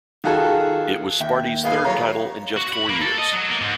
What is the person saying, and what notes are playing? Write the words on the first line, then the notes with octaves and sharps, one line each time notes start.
It was Sparty's third title in just four years.
D#3 F4 F#4 G#4 A4
D#2 E5 G5
A2 G#3 B3 F5
F#3 A3 A#4 C#5
F#4
B5
A#3
A4
D#5
F#3
A#3
G#2